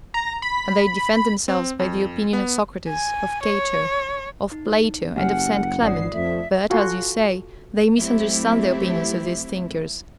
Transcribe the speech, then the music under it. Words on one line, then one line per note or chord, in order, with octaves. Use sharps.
And they defend themselves by the opinion of Socrates, of Cato, of Plato, and of St. Clement; but, as you say, they misunderstand the opinions of these thinkers.
A#5
B5
C4
F2
B3
G#5
C#5
D#4
F#1 G4 F#5 G#5 F6
G#1 F4 D5 D#6 C7
F2 F3 A3 E5
F4 F#4 A4 G#5 C6
F#3 A3 C4 E4 G4